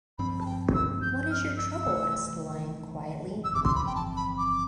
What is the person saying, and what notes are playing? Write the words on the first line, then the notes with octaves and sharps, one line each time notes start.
What is your trouble? asked the Lion, quietly.
G2 F3 C4 B5
A5
G5
E6
G6
G6
F6
E6
C2 C3 E3 A3
E6
G1 F2 C3 E3 D6
C6
B5
G5
A5
B5
D6